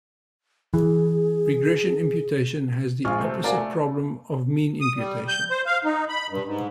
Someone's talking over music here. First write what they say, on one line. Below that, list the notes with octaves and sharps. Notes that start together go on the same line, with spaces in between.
Regression imputation has the opposite problem of mean imputation.
E3 G#4
A#1 G#3 F4 G#5 C#6 F6
C3 A3 C4
F#4 A#4 D5 F5 G#5 A#5
A3
D#6
G3
G6
C5
F5
D#4
B5
G2
G#2